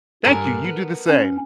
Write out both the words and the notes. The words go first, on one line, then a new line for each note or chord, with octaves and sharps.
Thank you, you do the same.
G2 D3 A#4 G#5
B3
C#4